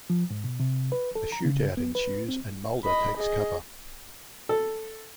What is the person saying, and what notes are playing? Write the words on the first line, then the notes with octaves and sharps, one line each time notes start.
A shootout ensues, and Mulder takes cover.
F3
G#2
B2
C3
B4
A4
A#5
C#3
B3
B4
C4
D#5 B5
G#4 D#5
A4